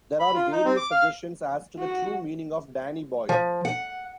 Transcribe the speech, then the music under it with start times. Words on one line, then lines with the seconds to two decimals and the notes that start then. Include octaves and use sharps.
There are various suggestions as to the true meaning of "Danny Boy".
0.20 B5
0.35 F4
0.52 D#4
0.65 C4
0.77 D6
0.91 F5
1.79 F#4
3.29 F3
3.65 F#5